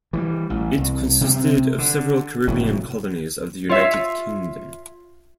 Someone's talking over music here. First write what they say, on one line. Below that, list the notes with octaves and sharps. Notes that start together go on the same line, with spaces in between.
It consisted of several Caribbean colonies of the United Kingdom.
E3 F3 G3
A1
C2
C3 C4
D3
F1 A2 C#3 F#3
F4 C#5 E5